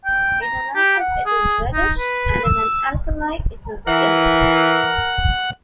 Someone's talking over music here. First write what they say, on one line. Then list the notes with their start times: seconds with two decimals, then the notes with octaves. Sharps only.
In an acid, it is reddish and in alkali, it is yellow.
0.05 G5
0.42 A#5
0.75 G4
0.99 F#5
1.26 G#4
1.73 D#4
1.98 B4
2.44 E6
3.87 E3 A#4 F#5